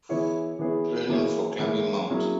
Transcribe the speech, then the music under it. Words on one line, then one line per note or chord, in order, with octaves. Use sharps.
Training for climbing Mt.
E3 B3 E4 G#4 C#5
E3 B3 E4 G#4 C#5
E3 A#3 E4 G#4 C#5
E3 A#3 E4 G#4 C#5
F#3 A#3 C#4 E4 G#4